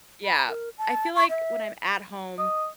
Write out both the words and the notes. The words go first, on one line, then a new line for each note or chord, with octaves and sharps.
yeah, I feel like, when I'm at home
B5
A#4
A5
C#6
E5
D#5